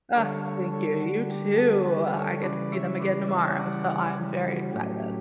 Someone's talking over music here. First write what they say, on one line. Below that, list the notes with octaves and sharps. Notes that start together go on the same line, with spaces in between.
Ugh, thank you, you too, I get to see them again tomorrow, so I'm very excited.
D3 G3 D4 A4 C#5
A4 C#5
A4 C#5
F#4
G4
F#4 A4
G4 B4
A4 C#5
C#3 E3 G3 C#4 B4 D5
C#5 E5
B4 D5
C#5 E5
D5 F#5
G4
F#4
A2 F#3 A3 C#4 G4